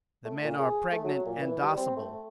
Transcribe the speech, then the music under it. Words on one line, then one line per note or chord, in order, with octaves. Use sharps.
The Men are pregnant and docible.
A3
A#2
G#4
A3
F#3
A#2
E3
G3
C4
A3